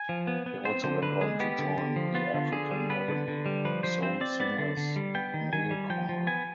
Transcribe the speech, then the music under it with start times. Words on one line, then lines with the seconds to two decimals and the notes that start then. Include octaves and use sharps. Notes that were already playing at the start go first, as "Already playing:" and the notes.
He also went on to join the African Heavenly Soul Singers male choir.
Already playing: G#5
0.09 F3
0.27 B3
0.46 B3
0.65 C4 C5
0.84 D3 C5
1.02 D3 B4
1.21 G#3 G#4
1.40 B3 G4
1.59 D3
1.77 D3
1.96 F3
2.15 B3 F4
2.34 D3
2.52 D3 G#4
2.71 G3
2.90 B3 B4
3.08 D3
3.28 D3
3.46 G3
3.65 F3 B4
3.83 F3 C5
4.02 C4 C5
4.21 C4 D5
4.40 B3 D5
4.58 D3
4.77 D3
4.96 G3
5.15 B3 G5
5.34 D#3
5.53 D#3 G#5
5.71 G3
5.90 F3 G5
6.09 F3
6.27 B3 G#5